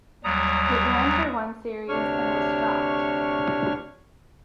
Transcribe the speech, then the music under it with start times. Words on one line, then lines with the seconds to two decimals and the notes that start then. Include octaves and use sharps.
It ran for one series and was dropped.
0.24 D#2 F#3 G3 A#5 D#6
1.89 D2 C3 D4 C#5 C#6 F6